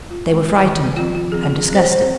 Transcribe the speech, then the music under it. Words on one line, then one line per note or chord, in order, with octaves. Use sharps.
They were frightened and disgusted.
F4
D#3 G#3 C4
D#3 G#3 C4
F3 C4 F4
F4
F3 C4 G#4
G#4
G#4
G3 C4
C5
C#5
C5
C4